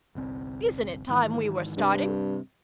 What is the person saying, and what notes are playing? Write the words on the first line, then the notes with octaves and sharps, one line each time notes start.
"Isn't it time we were starting?"
G1 C2 C4
G#2 D#3 E3
G2 C3